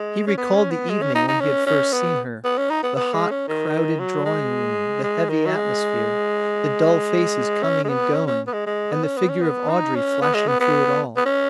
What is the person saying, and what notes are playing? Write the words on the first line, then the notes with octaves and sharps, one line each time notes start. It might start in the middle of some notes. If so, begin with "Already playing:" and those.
He recalled the evening when he had first seen her--the hot, crowded drawing-room, the heavy atmosphere, the dull faces coming and going, and the figure of Audrey flashing through it all.
Already playing: G#3
C#4
B3
C#4
B3
G#3
C#4
D#4
D#4
C#4
C#4
B3
B3
C#4
D#4
B3
B3
G#3
C#4
D#3
F#3
G#3
G#3
D#3
F#3
G#3
C#4
G#3
B3
C#4
C#4
B3
G#3
G#3
B3
C#4
B3
C#4
B3
D#4
C#4
B3
G#3
B3
B3
B3
C#4